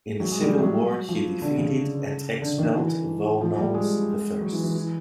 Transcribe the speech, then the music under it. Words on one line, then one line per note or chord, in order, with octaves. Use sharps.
In a civil war he defeated and expelled Vonones the First.
F#3
G#3
G3
F#3
F3
D3
C#3
D3
D#3
E3
F3
G3
G#3
F#3
E3
E3
E3